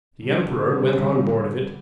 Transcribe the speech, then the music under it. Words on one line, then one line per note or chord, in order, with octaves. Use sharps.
The emperor went on board of it.
D3 G3